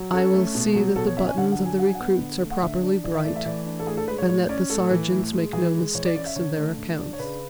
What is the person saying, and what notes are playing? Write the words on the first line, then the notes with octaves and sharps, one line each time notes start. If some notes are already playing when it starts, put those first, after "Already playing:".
I will see that the buttons of the recruits are properly bright and that the sergeants make no mistakes in their accounts.
Already playing: F#3
C#4 A4
A3
B2
F#3
B2 A4
C#5
C#4 E5
G#5
D3 F#5
F#5
F#3
G#5
D4 F#5
G#5
F#5
B3
D3
A3
F#5
D3 E5
D4
E3 D5
E5
A3 D5
E5
E3 D5
D4
A4
A2 G#4
A4
G#3 B4
C#5
A2 C#5
C#4 D5
A2 A4
E3
A2
G#3
E3 G#4
G#3
E3 C#5
D5
C#4 D5
E5
D3 C#5
A3
D3
D4
C#5
C#3 B4